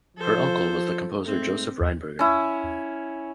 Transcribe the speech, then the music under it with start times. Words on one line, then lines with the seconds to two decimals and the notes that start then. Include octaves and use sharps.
Her uncle was the composer Josef Rheinberger.
0.17 F3 A4 C5
1.25 G#2 A3 C4
2.19 C#4 E4